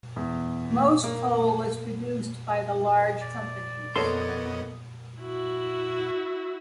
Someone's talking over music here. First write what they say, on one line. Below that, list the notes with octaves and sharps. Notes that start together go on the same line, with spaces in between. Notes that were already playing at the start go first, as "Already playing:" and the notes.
Most coal was produced by the large companies.
E2
A#3
D5
F2 A#3 B3 A4 A#4 C#5 D#5 C6
E4 F#4